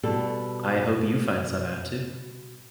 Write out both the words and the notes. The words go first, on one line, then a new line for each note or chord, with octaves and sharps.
I hope you find some out too.
B2 G3 A4